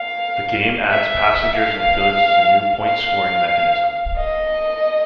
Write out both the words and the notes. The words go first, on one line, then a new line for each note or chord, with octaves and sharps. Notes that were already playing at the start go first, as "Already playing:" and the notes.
The game adds passengers and goods as a new point-scoring mechanism.
Already playing: F5
E5
F5
F5
D#5